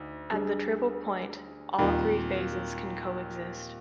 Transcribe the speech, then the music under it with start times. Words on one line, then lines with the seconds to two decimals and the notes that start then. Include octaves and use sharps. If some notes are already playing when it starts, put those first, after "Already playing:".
At the triple point, all three phases can coexist.
Already playing: D2 D#4
0.31 G3 D4 G#4
1.78 D#2 A#2 D#3 G3 C4 F4